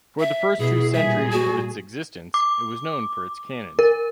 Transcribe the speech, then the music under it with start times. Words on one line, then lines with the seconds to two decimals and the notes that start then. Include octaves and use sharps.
For the first two centuries of existence it was known for its cannons.
0.20 E5
0.59 B2 E4 G#4
0.93 A#2 G3 G#4 E5
1.32 F#4
2.34 D6
3.79 A#4